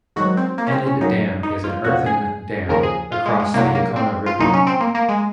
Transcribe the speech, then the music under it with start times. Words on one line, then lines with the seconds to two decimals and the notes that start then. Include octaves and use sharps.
Enid Dam is an earthen dam across the Yocona River.
0.16 G#2 D#3 F#3 F#4
0.37 C4
0.58 A#3
0.67 C#4
0.72 C4
0.86 C#4
1.01 F#2 C#3 F#3 D#4
1.43 D#4
1.64 F4
1.84 F2 C#3 F3 F#4
2.06 G#4
2.69 D#2 C#3 F3 A#4
2.83 G#4
3.12 F4
3.26 G#3
3.40 G#3
3.54 C2 C3 F#3 A#3
3.75 A#3
3.96 C4
4.26 F4
4.38 C2 A#2 F#3 D#4
4.53 C#4
4.67 C4
4.81 A#3
4.95 A#3
5.09 G#3